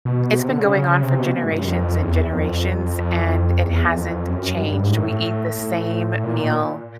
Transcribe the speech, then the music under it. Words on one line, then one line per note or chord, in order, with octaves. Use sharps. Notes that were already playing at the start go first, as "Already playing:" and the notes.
it's been going on for generations and generations, and it hasn't changed. We eat the same meal
B2
C3
D3
C#3
C3
B2
A#2
G#2
G2
F#2
F2
E2
F2
F2
E2
F2
F#2
G2
G2
G#2
A2
A2
A#2